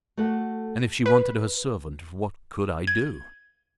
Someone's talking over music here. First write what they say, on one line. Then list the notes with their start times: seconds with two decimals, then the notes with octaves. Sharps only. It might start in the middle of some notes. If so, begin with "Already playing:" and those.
And if she wanted her servant, what could I do?
0.17 A3 F#4 A4 F#5
1.06 B4
2.87 G#6